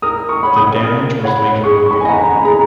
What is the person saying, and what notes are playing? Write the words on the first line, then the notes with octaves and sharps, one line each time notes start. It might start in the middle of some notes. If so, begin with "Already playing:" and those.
The damage was later repaired.
A#4 D#6
C#6
C#5 F#5 B5
D#6
A#4
C#5 F#5 B5
G#4 C#6
C#6
B5
G#5
D#5 F#5 A#5
B5
G#4 A#5